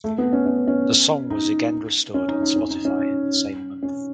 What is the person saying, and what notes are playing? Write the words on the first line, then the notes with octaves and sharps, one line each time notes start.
The song was again restored on Spotify in the same month.
A3
B3
C#4
C#4
C#4
D#4
C#4
D#4
D#4
C#4
D#4
C#4
C#4